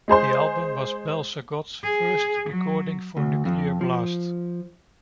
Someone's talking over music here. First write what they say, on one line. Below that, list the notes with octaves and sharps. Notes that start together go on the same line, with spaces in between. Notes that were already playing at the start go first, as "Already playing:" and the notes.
The album was Bal-Sagoth's first recording for Nuclear Blast.
G#3 G#4 C5 C6
G#4
F#3
D2
F2
F3